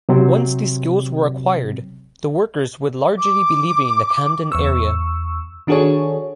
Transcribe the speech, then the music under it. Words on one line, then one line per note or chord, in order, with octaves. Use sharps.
Once the skills were acquired, the workers would largely be leaving the Camden area.
C3 F#3 C4
D6
E2 C#6 E6
D#3 D4 F#4 G#4 A4 C#5